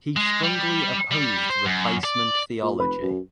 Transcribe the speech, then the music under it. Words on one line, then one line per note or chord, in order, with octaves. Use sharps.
He strongly opposed replacement theology.
G#3
G3
G3
C5
F#2
D5
A#2
F1 B4
F#2